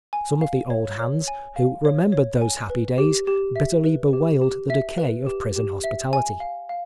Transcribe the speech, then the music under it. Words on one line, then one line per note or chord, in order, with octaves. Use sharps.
Some of the old hands, who remembered those happy days, bitterly bewailed the decay of prison hospitality.
G#5
F5
C#5
C#5
G#5
F5
C#5
C#5
G#5
B4
G4
G4
E5
B4
G4
G4
E5
B4
G4
G4
E5
G#5
F5
F5